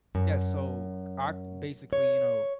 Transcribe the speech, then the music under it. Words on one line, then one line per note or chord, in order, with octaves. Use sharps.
Yeah, so I basically, you know
F#2
C#5